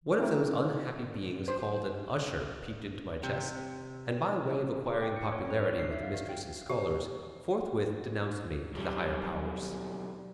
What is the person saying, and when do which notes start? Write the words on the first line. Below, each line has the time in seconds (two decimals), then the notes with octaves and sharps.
One of those unhappy beings called an usher peeped into my chest, and by way of acquiring popularity with the mistress and scholars, forthwith denounced me to the higher powers.
0.19 A3 C4 E4 A#4
1.48 C5
3.23 C3
4.89 D6
5.02 G5
5.16 C#7
5.32 C#5
5.50 B4
5.65 D5
5.79 C7
5.91 E5
6.03 F5
6.14 F#4
6.29 G5
6.69 G4
8.75 B1 G3